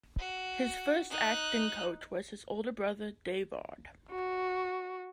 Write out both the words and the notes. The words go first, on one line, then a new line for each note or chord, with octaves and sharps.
His first acting coach was his older brother, Davood.
F#4
D#4 F#6
F#4